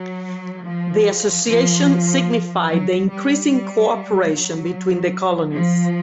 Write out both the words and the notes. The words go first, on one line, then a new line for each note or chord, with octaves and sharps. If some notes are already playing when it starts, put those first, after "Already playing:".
The Association signified the increasing cooperation between the colonies.
Already playing: F#3
F3
F3
F#3
G3
G3
F#3
F3